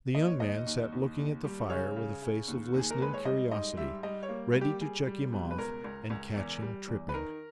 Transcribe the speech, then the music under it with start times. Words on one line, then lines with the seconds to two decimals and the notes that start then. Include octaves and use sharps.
The young man sat looking at the fire with a face of listening curiosity, ready to check him off and catch him tripping.
0.15 D#2 D#5
0.27 C#5
0.40 D#2 D#5
0.66 D#2
0.92 D#2
1.18 D#2
1.44 G3
1.70 C#3 C#5
1.96 C#3
2.22 C#3
2.48 D#2
2.74 D#2
2.79 G#4
2.91 A#4
3.00 G#3 B4
3.14 C#5
3.25 G3 D#5
3.51 G#2 D#5
3.77 G3 E5
4.03 G3 D#5
4.23 C#5
4.29 A#3
4.55 G3
4.61 G4
4.81 G3 G#4
5.07 G3
5.33 B2
5.51 B4
5.58 C#2 A#4
5.84 C#2
6.10 C#2
6.36 E2
6.62 G3
6.88 E2
7.09 B4
7.14 D#3 A#4